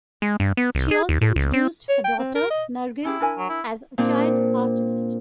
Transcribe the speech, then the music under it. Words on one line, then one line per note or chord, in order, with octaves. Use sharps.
She also introduced her daughter Nargis as a child artist.
G#3
G2
B3
C2
G#4
D#2
A2
C#2
C4
C#5
G5
C4
A#4
D#5
C#4 E4 G4 G#4
D4 A#4 G#5
F#3
E4
A#2 C4 D4